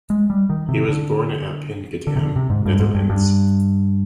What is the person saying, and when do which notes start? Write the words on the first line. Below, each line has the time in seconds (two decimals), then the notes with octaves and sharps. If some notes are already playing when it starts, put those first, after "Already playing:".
He was born in Appingedam, Netherlands.
0.10 G#3
0.30 G3
0.50 D#3
0.69 C3
0.89 D3
2.07 D3
2.16 C3
2.21 D3
2.36 C3
2.50 G#2
2.66 G2
2.79 G#2
2.95 G2
3.10 G2